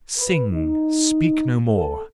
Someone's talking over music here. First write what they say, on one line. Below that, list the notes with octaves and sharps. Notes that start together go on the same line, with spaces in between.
Sing! speak no more!
B4
D#4
A4